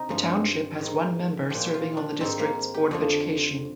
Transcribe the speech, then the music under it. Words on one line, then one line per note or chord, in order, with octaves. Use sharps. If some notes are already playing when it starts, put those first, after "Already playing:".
The township has one member serving on the district's Board of Education.
Already playing: C3 D#4
G2 F3
G#2 D#3
A#2 F3 G4
G4
F4
D4
G#2 D#3 C4
A#3
G4
F2 D3 F3